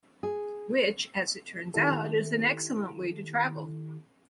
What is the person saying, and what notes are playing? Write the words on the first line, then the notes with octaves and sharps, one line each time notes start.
Which, as it turns out, is an excellent way to travel.
G#4
D#3 E4 G4 A4